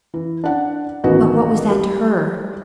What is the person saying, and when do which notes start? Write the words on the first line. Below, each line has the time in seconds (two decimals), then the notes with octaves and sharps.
But what was that to her?
0.14 E3
0.44 D4 F#5
1.04 A1 D#3 B3 F#4
1.71 G3